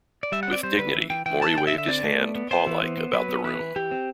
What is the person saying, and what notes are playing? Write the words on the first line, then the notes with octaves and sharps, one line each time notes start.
With dignity Maury waved his hand paw-like about the room.
D5
G3 E5
C4 F#5
D5
G3 C5
D3 B4
E3
E3 G5
E3 G5
E3 A5
D3 G5
E5
D3
E5
C4 D5
A3
B3
B3
B3 C5
E3
B3
B3
F#3 B4
B3
E3 B4
E3
E3 G4
C4